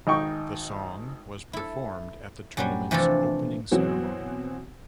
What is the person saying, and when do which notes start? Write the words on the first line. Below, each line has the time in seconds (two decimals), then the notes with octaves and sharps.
The song was performed at the tournament's opening ceremony.
0.07 G#1 D#4 G5 C#6
1.53 E4 A4
2.57 F#2 F#3 G3
2.91 C3 E3 F3 A3 D4 A4
3.71 B2 E3 F#3 C4 F#4